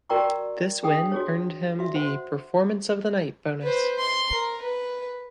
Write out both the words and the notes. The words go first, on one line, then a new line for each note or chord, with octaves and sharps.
This win earned him the "Performance of the Night" bonus.
F#4 A#4 D5 G5 A#5 C#6
D4 G#4 G5 D#6
F#4 G#4 C#5
F#4 E5
C5 F#5 C6
B4 C5
C6
A#4
B4